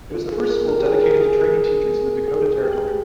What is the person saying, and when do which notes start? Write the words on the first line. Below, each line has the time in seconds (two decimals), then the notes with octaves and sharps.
It was the first school dedicated to training teachers in the Dakota Territory.
0.14 F4
0.32 G#4
0.50 A#4
0.68 A#4
0.79 G4
0.86 G#4
1.04 A#4
1.21 G#4
1.39 A#4
1.57 G#4
2.28 G#4
2.38 G4
2.46 G#4
2.63 G4